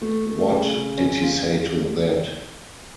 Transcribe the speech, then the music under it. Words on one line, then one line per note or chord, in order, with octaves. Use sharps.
What did he say to that?
A3
A3
C#3
C#3
C#4
F4